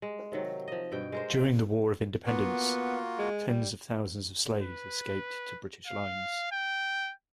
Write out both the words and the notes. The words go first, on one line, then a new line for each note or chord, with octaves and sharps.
During the War of Independence, tens of thousands of slaves escaped to British lines.
G#3
C3 D#3 F#3
F3 D#5
G2 B2 G5
G#3 A#4 C5
F4 G5
A#3 B3 F4 F#4
G#3
G3
B4
F5
G5